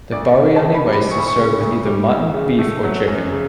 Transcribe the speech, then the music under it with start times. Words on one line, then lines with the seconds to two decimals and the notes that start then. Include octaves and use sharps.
The bariani rice is served with either mutton, beef or chicken.
0.12 D2 D5
0.37 C#3 E5
0.56 A5
0.62 D2
0.74 B5
0.86 G3
0.93 B5
1.11 D2 C#6
1.19 B5
1.27 C#6
1.36 C#3
1.60 D2
1.85 G3
2.09 D2
2.34 C#3
2.59 A3
2.83 F#3
3.07 F#2
3.32 C#3